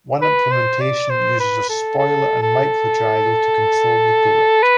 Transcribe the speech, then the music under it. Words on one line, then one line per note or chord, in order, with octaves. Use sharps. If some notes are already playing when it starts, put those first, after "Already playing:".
One implementation uses a spoiler and micro gyro to control the bullet.
B4
C5
D5
C5
B4
A4
A4
A4
B4